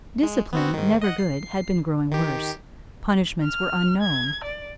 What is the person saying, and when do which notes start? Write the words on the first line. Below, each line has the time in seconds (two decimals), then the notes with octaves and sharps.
Discipline, never good, had been growing worse. Punishments were unknown.
0.23 G#3
0.53 B3 C4 F#4
0.74 G#2 D#3
1.02 D#5 F#5
1.18 C7
2.12 D#3 G4
3.43 F6
4.01 G#6
4.44 D5